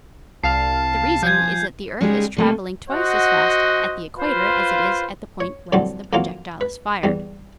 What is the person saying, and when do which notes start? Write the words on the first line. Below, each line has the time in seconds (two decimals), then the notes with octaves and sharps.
The reason is that the earth is traveling twice as fast at the equator as it is at the point whence the projectile is fired.
0.44 C2 F5 A5 F6 C7
1.23 F3 G#5 G6 G#6
2.01 C#3 G3 G#3 D#4 G4 G#4
2.37 C3 A3 A#3
2.90 F#4 C5 D#5 F#5
4.18 F4 B4 C5 F5
5.40 C#5
5.73 F2 A2 D3 F#3 G3 C4
6.13 F2 E3 F#3 A#3 F4
6.61 B4
7.03 E2 G3